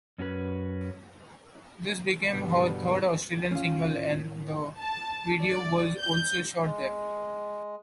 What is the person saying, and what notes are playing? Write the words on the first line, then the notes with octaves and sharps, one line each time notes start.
This became her third Australian single, and the video was also shot there.
F#2 C#4 F#4 G4 B4
G2 B2 D3
C#4 F4
A2 D#3
A5
D5
G6
G#3